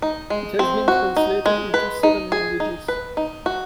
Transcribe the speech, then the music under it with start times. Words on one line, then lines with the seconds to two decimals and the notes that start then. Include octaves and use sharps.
It has been translated into seven languages.
0.02 D#4
0.30 G#3
0.59 C4
0.88 F#4
1.17 D#4
1.46 G#3
1.74 B4
2.03 D#4
2.32 G#4
2.60 D#4
2.88 B4
3.17 D#4
3.46 F#4